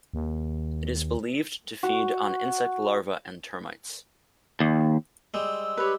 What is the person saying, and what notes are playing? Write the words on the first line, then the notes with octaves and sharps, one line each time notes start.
It is believed to feed on insect larvae and termites.
D#2
F#4
D#2
G3 G#3 C5 E6
G4 B4 C#5